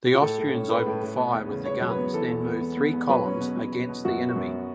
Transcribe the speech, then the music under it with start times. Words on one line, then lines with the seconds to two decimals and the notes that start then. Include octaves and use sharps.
The Austrians opened fire with the guns, then moved three columns against the enemy.
0.14 F#4
0.22 A2 A4
0.39 A2
0.54 C#4
0.69 A2 B4
0.86 A2
1.02 A2
1.17 B3
1.33 E2
1.50 C#3
1.65 C#3 C#5
1.82 F#3
1.90 B4
1.98 B3
2.14 E3 A4
2.30 E2
2.45 B3
2.61 B3
2.77 B3
2.93 E2
3.09 F#3 B4
3.26 C#4
3.40 B2
3.56 F#3
3.72 B2
3.89 B2
4.05 F#2 F#4
4.20 B3
4.29 F#4
4.36 F#2